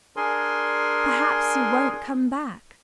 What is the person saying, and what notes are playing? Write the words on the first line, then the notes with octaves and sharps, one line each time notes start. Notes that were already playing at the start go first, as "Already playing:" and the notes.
"Perhaps you won't come back?"
D4 G#4 A#4 G#5 C6